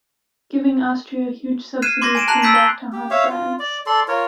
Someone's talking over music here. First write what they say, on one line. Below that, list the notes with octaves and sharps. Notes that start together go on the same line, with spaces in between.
Giving Austria huge subsidies came back to haunt France.
F6 F#6 G#6 C7 D#7 E7
C6 D6 G#6 A#6 C7
G#5 D7 E7
A5 A#5 F#6 C7 F7 F#7
E6 G6 A6 B6 C7 D7
G7
G4
C#5 E5 F5
F4
D5
A4 D5 C6
F4 A#4 C#5